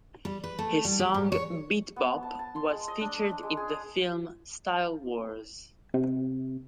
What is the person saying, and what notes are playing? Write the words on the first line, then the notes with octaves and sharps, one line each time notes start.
His song "Beat Bop" was featured in the film "Style Wars".
G3
B4
A3
G3
G4
G#2
C#5
B3
A5
A5
C6
G#3
D#5
D4
D#5
D4
G#3
G#4
D#6
C3